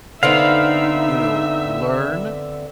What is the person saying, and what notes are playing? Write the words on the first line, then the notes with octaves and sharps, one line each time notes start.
you know, learn,
D3 B3 C4 D#4 E5 F5